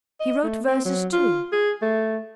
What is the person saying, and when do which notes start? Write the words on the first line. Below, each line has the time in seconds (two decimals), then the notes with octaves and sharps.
He wrote verses too.
0.20 D#5
0.44 A3
0.68 C4
0.85 F#3
1.13 F4
1.52 G#4
1.82 A3